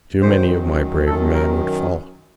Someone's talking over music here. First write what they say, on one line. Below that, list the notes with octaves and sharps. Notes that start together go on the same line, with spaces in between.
Too many of my brave men would fall.
F#2 D#3 C5
F#2 D#3 A4
A#4